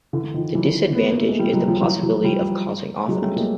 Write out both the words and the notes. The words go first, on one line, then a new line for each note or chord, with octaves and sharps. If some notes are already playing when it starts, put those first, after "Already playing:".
The disadvantage is the possibility of causing offense.
D3 E3
D#3 F3
E3 F#3
B3
A#3
A3
G#3
F3 G3
F#3 G#3
F3 G3
E3 F#3
E3 F#3
F3 G3
F#3 G#3
G3 A3
G#3 A#3